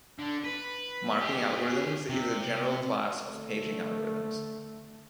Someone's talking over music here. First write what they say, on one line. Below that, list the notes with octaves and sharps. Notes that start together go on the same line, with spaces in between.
Marking algorithms is a general class of paging algorithms.
D3
B4
G4 G#4
C3
D3 A3